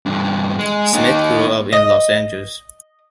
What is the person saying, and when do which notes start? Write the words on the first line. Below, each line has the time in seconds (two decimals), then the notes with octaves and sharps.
Smith grew up in Los Angeles.
0.06 E2 G2
0.58 G#3
0.93 A#3 D#4
1.73 D#5